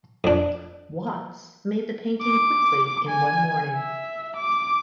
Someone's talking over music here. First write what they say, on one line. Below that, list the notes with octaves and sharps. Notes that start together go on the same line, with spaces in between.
Watts made the painting quickly in one morning.
F2 D4
D6
G#5
E5
D6